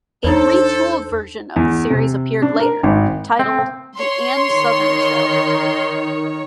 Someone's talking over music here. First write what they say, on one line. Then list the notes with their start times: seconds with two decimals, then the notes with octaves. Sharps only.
A retooled version of the series appeared later, titled "The Ann Sothern Show".
0.24 E2 D4 D#4 A4 C5 C#5
1.56 E2
1.90 C3
2.42 D4
2.60 A#4
2.83 G#1
3.39 C4
3.98 C#5 C6
4.52 D#3